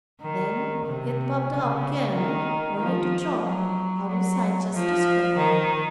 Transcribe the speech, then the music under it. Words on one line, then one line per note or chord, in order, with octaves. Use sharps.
Then it bobbed up again, only to drop out of sight just as quickly.
D#3
C3
C#3
D#3
F3
F#3
F#3
F3
D#3